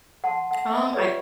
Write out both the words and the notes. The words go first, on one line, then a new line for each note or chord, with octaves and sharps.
Um, I
F#5 A5 C6
F#5
D#5 E5
F4 G4 B4 C#5 D5